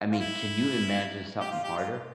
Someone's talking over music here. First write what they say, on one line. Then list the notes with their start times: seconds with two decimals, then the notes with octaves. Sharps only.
I mean, can you imagine something harder?
0.12 F4
0.20 E4
1.41 G4
1.51 F4
1.64 G4
1.77 F4